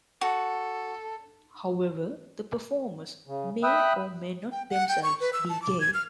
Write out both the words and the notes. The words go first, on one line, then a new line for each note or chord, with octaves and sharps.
However, the performers may or may not themselves be gay.
F#4 A4
C#3
E5 G5 B5 D#6 E6 F#6
G5
F#5
G5
C#6
B4
E6
A5
D6
G#6
F6